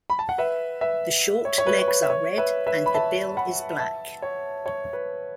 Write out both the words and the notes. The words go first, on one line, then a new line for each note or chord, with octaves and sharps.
The short legs are red and the bill is black.
B5
A5
F#5
B4 E5
B4 E5
C#5
C#5
B4
C#5
B4
E5
C#5
B4 E5
B4 E5
B5
E5 A5
F#5 B5
E5 A5
C#5
C#5
B4